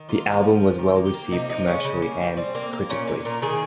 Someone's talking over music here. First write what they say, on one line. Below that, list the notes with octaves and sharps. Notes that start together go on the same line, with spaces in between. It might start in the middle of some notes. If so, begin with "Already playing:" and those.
The album was well received commercially and critically.
Already playing: D#3
A#3 F4
G#3
F3
F3
D#3 G4
A#3
G4
A#3
C3 D#4
F3 D#4
G#3 C#4
C#3
A#3
F3
G3 C4
A#3
A#3
A#2 C#4
A#2
A#2 A#4
D#3 G#4